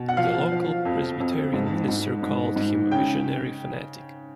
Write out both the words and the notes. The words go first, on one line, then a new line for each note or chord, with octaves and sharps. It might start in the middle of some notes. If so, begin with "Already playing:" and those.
The local Presbyterian minister called him a visionary fanatic.
Already playing: B2
F#5
F3 F5
F3
F2
F2
G#2
G#2
G#2
G#2
C#3 G5